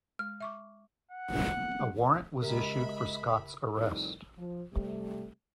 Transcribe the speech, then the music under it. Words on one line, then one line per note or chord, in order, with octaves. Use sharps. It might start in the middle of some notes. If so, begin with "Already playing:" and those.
A warrant was issued for Scott's arrest.
G#3 F6
E5 C#6 D6
F#5
C#3 G#3 G4 A#4 E5 B5
A2 C3 D#3 F3 G3 D#4
F3
C3 G3 A3